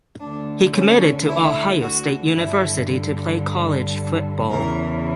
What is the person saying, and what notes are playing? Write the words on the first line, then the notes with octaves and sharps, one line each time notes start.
He committed to Ohio State University to play college football.
D2 D3 D4
C#4
E4
F#4
G2 D3 E4
E2 C#3 E3 A#4